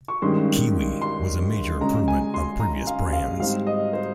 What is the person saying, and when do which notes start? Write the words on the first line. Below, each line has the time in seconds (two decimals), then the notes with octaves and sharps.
Kiwi was a major improvement on previous brands.
0.08 C#6
0.22 G2 D#3 G#3 C#4 C6
1.02 C6
1.81 C#3 G#3 C#4 A#5
2.08 G#5
2.34 C6
2.60 A#5
2.87 F5
3.13 F5
3.40 G#2 G3 C4 F5
3.67 D#5
3.93 C5